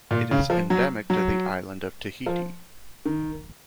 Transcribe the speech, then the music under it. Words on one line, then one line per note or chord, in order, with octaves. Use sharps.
It is endemic to the island of Tahiti.
A#2
C#3
F3
F#3
F#3
F3
D#3